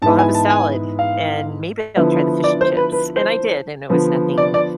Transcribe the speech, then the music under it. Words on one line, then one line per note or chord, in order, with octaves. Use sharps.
I'll have a salad, and maybe I'll try the fish and chips. And I did, and it was nothing
G#2 E3 B3 E4 A5
G#5
A5
G#5
F5
D3 F3 B3 E4
D5
C5
B4
B4
C5
D3 F3 B3
D5
D5